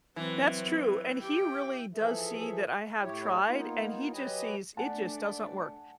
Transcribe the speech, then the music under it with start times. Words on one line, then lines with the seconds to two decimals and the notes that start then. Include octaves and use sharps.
That's true, and he really does see that I have tried, and he just sees it just doesn't work.
0.16 E3 F#3 C4 B4
1.22 G4 G5
1.95 E3 F3 G#4 A4 E5
3.02 A2 E4 G4 C#5
3.48 A#3 B3 D#4 F4
4.13 F#3 G4 B4 D#5 G#5
4.77 A3 D4 D5 F#5 G#5 A5